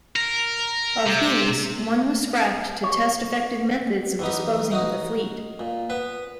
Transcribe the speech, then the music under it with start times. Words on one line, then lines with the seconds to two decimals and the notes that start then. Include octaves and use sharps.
Of these, one was scrapped to test effective methods of disposing of the fleet.
0.16 A#4
1.07 C3
2.83 C#5
4.19 E2 B3 D#4
4.71 D#4 F#4 D#5
5.59 A#2
5.90 B3 B4